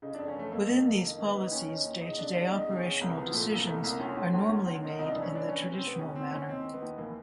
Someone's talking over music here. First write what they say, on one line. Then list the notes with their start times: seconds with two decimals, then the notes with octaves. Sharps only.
Within these policies, day-to-day operational decisions are normally made in the traditional manner.
0.02 C#3 D#4
0.15 F2 D4
0.28 C#4
0.36 E3 A3
0.52 F2 A#3
0.69 F2
0.77 A#3
0.85 F2
1.01 D#3 A#3
1.18 D#3
1.27 B3
1.35 D#3
1.51 D#2 C#4
1.68 D#3
1.84 D#2
2.01 E2 D#4
2.18 C#3 D4
2.34 E2 D4
2.51 E2 D#4
2.67 C#3
2.76 C#4
2.84 E2
3.01 C2
3.18 F3 B3
3.33 A#2 A3
3.50 C2 A#3
3.67 C2 A3
3.84 C2 A#3
4.00 D2 C#4
4.17 D2
4.34 D2
4.49 D2
4.66 D2
4.83 D#3
4.99 C2 D#4
5.11 E3 D4
5.22 C#4
5.33 E3 D4
5.48 E3 C#4
5.62 C3 C#4
5.74 C4
5.82 C3 B3
5.99 D#2 C#4
6.16 D#2 C4
6.31 D#2 C#4
6.48 D#3 C4
6.64 D#3
6.74 B3
6.82 D#2
6.98 E3 A#3